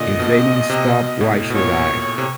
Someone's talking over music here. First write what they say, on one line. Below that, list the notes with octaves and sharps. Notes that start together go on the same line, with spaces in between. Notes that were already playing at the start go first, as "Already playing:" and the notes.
If they don't stop, why should I?
Already playing: A#2 D3 D#5
B2
C3
B2
A2
B2
A#2 C#5
C3